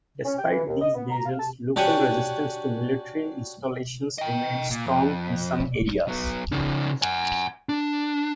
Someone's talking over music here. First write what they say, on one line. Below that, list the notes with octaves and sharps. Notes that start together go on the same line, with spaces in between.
Despite these measures, local resistance to military installations remained strong in some areas.
C#4
G5
E3
D#2
D#5
B3
A#5
F5
A5
D4 F#4 G4 C#5 F#5 G#5
D#5 G5
A#2
F2
F#3 B3
C#3 D#4
F#5 G#5
D4